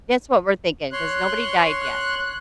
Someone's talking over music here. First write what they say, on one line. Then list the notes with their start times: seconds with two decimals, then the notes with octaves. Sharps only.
That's what we're thinking 'cause nobody died yet.
0.92 C#5 C6 F#6
1.82 F#6